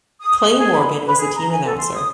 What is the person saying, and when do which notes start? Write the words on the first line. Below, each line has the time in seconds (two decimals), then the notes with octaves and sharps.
Clay Morgan was the team announcer.
0.21 D#6
0.58 G#4
0.74 B5
1.06 B4
1.19 G#4
1.36 A#5
1.51 G#5
1.64 A4
1.77 C6
1.94 D#6